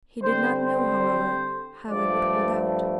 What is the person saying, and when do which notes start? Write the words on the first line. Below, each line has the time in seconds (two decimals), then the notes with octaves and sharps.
He did not know, however, how it would hold out.
0.22 D3 G3 C4 C5
0.64 C5
1.89 G2 F3 A3 D5